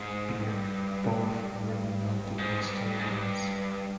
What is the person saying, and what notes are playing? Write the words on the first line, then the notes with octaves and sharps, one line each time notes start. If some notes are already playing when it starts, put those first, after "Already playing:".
Beard; both were noted historians.
Already playing: G#2
G2
G#2
G2
G2
G#2
G2